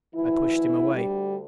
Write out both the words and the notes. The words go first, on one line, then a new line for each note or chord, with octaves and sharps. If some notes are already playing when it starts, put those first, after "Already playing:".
I pushed him away.
D2 D3 E3 E4
G3